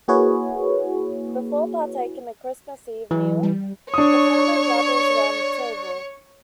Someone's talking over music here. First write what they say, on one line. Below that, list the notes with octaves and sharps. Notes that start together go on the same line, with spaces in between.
Before partaking of the Christmas Eve meal, the family gathers around the table.
A#3 E4 F#4 G#4 B4 C#5
E3 F#3
G3
D4 C#5 C#6 D#6